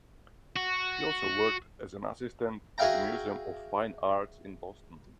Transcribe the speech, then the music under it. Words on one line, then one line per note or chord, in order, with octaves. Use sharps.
She also worked as an assistant at the Museum of Fine Arts in Boston.
F#4
F#4 G#4 E5 F5 G5 A#5